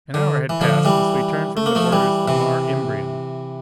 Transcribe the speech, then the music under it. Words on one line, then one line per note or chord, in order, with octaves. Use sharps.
An hour had passed since we turned from the borders of Mare Imbrium.
D3
E3
D3 F3
E3 G3
A3
A#3
F3 A3
E3 G3
C3 E3